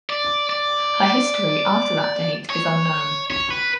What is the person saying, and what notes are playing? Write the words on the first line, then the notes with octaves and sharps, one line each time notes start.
Her history after that date is unknown.
D5
D5
C#5
C#5
B4